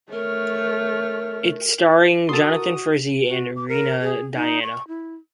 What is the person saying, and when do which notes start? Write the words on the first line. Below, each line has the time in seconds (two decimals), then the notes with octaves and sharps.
It starring Jonathan Frizzy and Rina Diana.
0.13 A3 A#4 C#5 F6
2.29 F#4 A4 A#4 C6 D#6
3.27 F#4
3.56 D6
3.68 A#4
4.01 G#4
4.35 D#4
4.63 C#6
4.88 E4